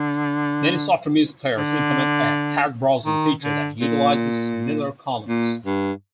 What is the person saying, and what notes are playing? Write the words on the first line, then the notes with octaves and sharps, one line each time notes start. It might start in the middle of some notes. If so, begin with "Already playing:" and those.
Many software music players implement a "tag browsing" feature that utilizes Miller columns.
Already playing: D3
D3
D#3
D3
A#2
A#2
G2